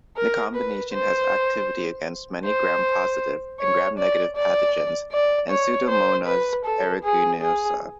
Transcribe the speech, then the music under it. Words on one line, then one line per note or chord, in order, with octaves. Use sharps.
The combination has activity against many Gram-positive and Gram-negative pathogens and "Pseudomonas aeruginosa".
A#4
B4
C5
C5
C#5
D5
D5
D5
C#5
C5
B4
A4
G#4
G#4